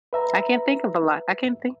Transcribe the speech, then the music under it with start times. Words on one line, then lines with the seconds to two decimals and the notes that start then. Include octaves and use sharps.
I can't think of a lot. I can't think.
0.13 B4 E5 A#5